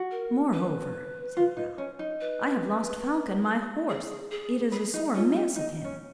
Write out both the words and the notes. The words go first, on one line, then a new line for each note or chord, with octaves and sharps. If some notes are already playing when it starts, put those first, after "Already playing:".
"Moreover," said Ralph, "I have lost Falcon my horse; it is a sore miss of him."
Already playing: F#4
A#4
B4
F4
D#4
C#4
D#4
B4
G#4
G#4
G#4 B4
D#4
C#4 F4
D#4
D#4
C#4